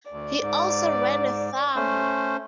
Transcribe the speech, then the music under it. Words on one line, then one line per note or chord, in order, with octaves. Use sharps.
He also ran a farm.
D2 D5
G#2
A3 C#4 C5